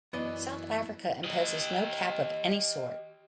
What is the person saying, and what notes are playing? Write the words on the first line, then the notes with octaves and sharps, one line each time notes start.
South Africa imposes no cap of any sort.
F#2 E3 B3 E4 D5 D#5
G4 D#5